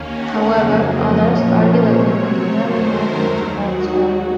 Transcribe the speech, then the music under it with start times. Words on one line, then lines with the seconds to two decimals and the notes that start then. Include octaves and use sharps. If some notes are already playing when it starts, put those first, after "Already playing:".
However, others argue that Vinik merely moved into bonds early.
Already playing: D#2 D#3 A#3 C#4
0.16 F#5
0.49 F2 C#3 F#3 A#3 F5
0.84 D#5
1.18 A#2 F3 A#3 C#4 C#5
1.52 C5
1.85 C3 F#3 C4 C#5
2.19 C#5
2.53 F#2 D#3 F#3 A3 C5
2.87 A#4
3.21 D#2 D#3 F#3 A4
3.55 F#4